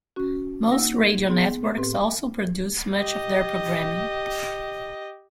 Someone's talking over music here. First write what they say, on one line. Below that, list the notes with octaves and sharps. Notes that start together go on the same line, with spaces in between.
Most radio networks also produce much of their programming.
C#4 F#4
A#3 D#4 F#5 E6 A#6
G#6
B3 G#4 C6
A2 C4 G4 B4 C6
G4 D#5